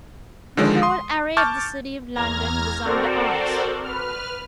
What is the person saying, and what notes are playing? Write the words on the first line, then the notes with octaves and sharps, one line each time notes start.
The whole array of the City of London was under arms.
D3 D#3 F3 G#3
C6 D#6
A5 C#6 D6 F6 G6 A6
E2 A#5 F6 G#6 A#6
C4 F#4 A4 A#4 C5 D5
B4 F6